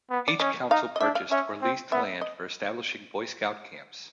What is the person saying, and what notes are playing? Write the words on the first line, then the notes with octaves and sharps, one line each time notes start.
Each council purchased or leased land for establishing Boy Scout camps.
B3
D5
C#4 D#5
D#4 F5
D#5
D4 E5
F5
C#4 E5
C4
B3 E5
D#5